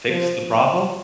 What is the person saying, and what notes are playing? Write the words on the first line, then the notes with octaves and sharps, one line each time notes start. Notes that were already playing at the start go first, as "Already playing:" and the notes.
Fix the problem?
F3